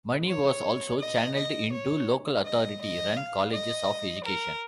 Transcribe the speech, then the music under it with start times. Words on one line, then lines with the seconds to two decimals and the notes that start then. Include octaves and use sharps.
Money was also channelled into local-authority run colleges of education.
0.28 C#5
1.00 D#5
1.36 D#5
1.73 C#5
2.45 D#5
2.81 D#5
3.16 F5
3.52 D#5
4.24 A#4